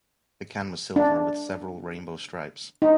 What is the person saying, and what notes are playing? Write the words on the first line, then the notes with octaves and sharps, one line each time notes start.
The can was silver with several rainbow stripes.
D4
D#4